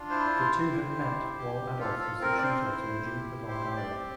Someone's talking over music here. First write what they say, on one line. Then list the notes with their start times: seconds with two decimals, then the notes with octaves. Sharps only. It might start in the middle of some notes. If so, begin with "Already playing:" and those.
The two had met while Adolph was the tutor to the Duke of Argyll.
Already playing: D4 F4
0.10 E4 C5
0.53 G4
0.95 E4
1.38 G4
1.79 F4 A4
2.00 A4
2.21 C4 A#4
2.38 D5
2.43 C5
2.65 E4
3.06 G4
3.48 G4 C5
3.77 D5
3.91 C4